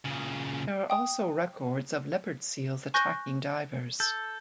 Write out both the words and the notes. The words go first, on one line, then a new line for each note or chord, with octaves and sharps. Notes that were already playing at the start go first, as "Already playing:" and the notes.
There are also records of leopard seals attacking divers.
A#2 C#3
G5 D#6
G#5 C#6 F#6 G6 A#6 G7
A4 G6